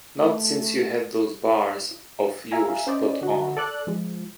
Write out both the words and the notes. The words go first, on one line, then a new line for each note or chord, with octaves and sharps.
Not since you had those bars of yours put on.
A3
E5 F5 G#5 A#5
C#4 C5 D5 D#5
D3 F#4
A4 D5 F#6
F3 G#3